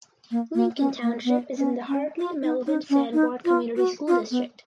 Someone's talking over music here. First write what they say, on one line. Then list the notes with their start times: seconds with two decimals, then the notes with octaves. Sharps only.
Lincoln Township is in the Hartley–Melvin–Sanborn Community School District.
0.31 A#3
0.55 A#3
0.78 C#4
1.02 A#3
1.25 B3
1.57 C#4
1.88 C#4
2.19 F4
2.43 D#4
2.67 D#4
2.90 C#4
3.13 D#4
3.45 F4
3.77 F#4
4.08 F4
4.31 B3